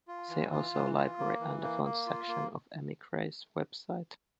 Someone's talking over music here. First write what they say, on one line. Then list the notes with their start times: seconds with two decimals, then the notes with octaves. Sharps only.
See also library and the fonts section of Emigre's website.
0.08 F4
0.29 E3
0.52 F4
0.74 E3
0.95 F4
1.18 A#3
1.40 E3
1.62 A#3
1.84 A#3
2.07 F4
2.28 A#3